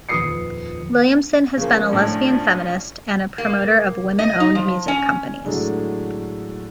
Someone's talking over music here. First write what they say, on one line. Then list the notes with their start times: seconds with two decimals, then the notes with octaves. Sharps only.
Williamson has been a lesbian feminist and a promoter of women owned music companies.
0.09 D#1 F2 B4 D#6 C7 C#7
1.57 C#3 F3 A#3 C#4
1.93 A2 D4
3.38 A#3
4.19 D#5
4.40 D#4
4.55 F3
4.88 C#4
5.45 A2 D3 F#3 G#3 A3 D4